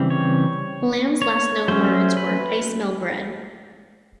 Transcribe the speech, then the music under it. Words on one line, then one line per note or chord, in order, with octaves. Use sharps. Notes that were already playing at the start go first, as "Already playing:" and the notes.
Lamb's last known words were I smell bread.
Already playing: C#3 E3 G3 C4
C#5
C#5
F#3 A3 C#4 C5
B4